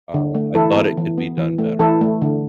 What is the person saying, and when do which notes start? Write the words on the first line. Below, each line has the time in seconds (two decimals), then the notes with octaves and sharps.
Uh, I thought it could be done better.
0.14 D3
0.35 A3
0.55 E3 E4 A4
0.76 B3
0.97 E3
1.18 B3
1.38 E3
1.58 A3
1.79 E3 E4 A4
2.01 A3
2.22 D3